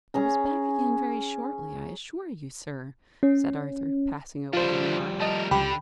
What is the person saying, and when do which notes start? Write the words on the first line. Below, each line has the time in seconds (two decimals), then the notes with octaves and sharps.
"I was back again very shortly, I assure you, sir," said Arthur, passing over the remark.
0.14 C#4 G#4 A#5
3.23 C#4
4.53 F3 G3 D4 E4 F4 C5
5.21 A3 A#4 D#5 A5
5.51 C#2 D3 G4 G5 B5